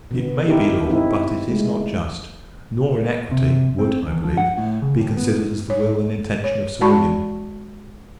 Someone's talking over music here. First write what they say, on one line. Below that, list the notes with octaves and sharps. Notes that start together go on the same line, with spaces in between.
It may be law, but it is not just; nor in equity would, I believe, be considered as the will and intention of Sir William.
B2 D3 B3
D#4 E4 G4 A#4
C4 D#4 E4
G#3 A3
C3
C4
E2
F3
F#5
A2
C#3
D#2
B3
C#5
C#5
G#3 F#4 D5 A5 B5 C#6